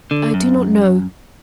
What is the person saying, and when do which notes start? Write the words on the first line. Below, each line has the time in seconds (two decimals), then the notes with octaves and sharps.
I do not know.
0.11 D3
0.34 F#2